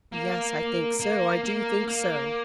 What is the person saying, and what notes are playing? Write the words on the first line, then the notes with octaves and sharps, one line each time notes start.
"Yes, I think so; I do think so."
A#3
A#3
A#3
A#3